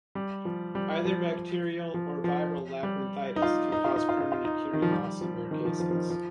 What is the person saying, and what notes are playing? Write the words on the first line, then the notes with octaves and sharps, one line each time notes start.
Either bacterial or viral labyrinthitis can cause permanent hearing loss in rare cases.
G3
F3
G3
F3
F3
F3
G3
D#4
F4
D#4
F4
D#4
F4
D#4
F4
D#4
D#3
F3
G3
F3
D#3
F3
F3
F3
D#3
F3